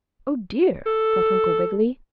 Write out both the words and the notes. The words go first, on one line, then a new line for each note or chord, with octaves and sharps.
"Oh, dear!" thought Uncle Wiggily.
A4